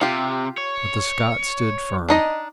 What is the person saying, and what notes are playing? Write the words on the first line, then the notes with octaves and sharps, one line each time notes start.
But the Scots stood firm.
C3 F4 G4
C#5
D4 D#4 D#5